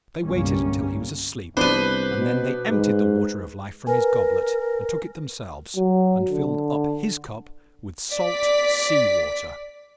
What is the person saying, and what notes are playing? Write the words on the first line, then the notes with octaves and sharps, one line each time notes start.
They waited till he was asleep, and then they emptied the Water of Life from his goblet and took it themselves, and filled up his cup with salt sea water.
G1 C2 D3 G3 A#3 C#4
C2 B3 D4 B4 C5
B2
G#2
A#4 B4 G#5
F#3
D3
D5 B6